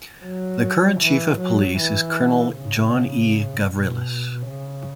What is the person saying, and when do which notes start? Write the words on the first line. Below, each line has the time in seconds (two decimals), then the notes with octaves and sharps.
The current chief of police is Colonel John E. Gavrilis.
0.24 F#3
1.01 E3
1.39 F#3
1.78 E3
2.54 C#3
3.70 B2
4.47 C#3